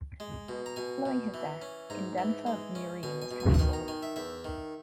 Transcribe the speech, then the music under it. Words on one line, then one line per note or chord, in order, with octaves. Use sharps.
Following his death "Indenfor Murene" was cancelled.
G#3
B2
A#5
B2 G#5
B2
E3
C#4
G#2 A#5
E3
G#3
C#4
B2 G#5
G#5
B2
G#5
F#5
D#3 G#5
A#5
D#3 G#5
E5
E2 E5
D#3